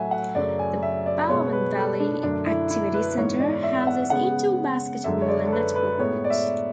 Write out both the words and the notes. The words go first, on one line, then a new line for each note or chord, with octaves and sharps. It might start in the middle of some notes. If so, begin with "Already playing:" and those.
The Barwon Valley Activity Centre houses indoor basketball and netball courts.
Already playing: A2 F#3 A3 E5 F#5 G#5
F#5
F#2 C#3 F#3 A3 D5
G#5
E5
D5
B2 G#3 B3 C#5
B4
A4
D4
F#2 D3 A3 D4
E4
E4
B4
G#2 E3 G#3 B3 C#5
D5
E5
E5
F#5
C#3 G#3 B3 F#5
F#2 D3 G#3 E5
C#5
D5
A4
B4
B4
A2 G#3 B3 C#5
D5
E5